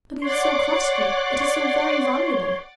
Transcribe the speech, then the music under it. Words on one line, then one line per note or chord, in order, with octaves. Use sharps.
"But it is so costly--it is so very valuable."
C#5 D5 F#5 C6 D6